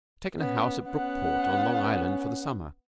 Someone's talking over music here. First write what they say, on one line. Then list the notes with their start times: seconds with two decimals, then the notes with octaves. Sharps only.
I've taken a house at Brookport, on Long Island, for the summer.
0.39 B3 C#4
0.86 B3 C#4 F#5